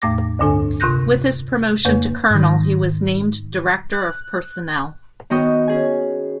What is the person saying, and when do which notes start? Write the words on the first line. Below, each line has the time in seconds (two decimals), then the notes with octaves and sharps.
With his promotion to colonel, he was named director of personnel.
0.02 E2 A2 A3 D6 A#6
0.39 D2 G2 D3 D4 A4 G#5
0.80 C3 F4 C6 F#6 G6 A#6
1.85 F2 C#3 A#3 B4 C#5 G6
2.31 G#2 D#3
3.93 F#6
5.30 D#3 B3 F#4 D#5 G5 C#6
5.68 C#4 G#4 G#5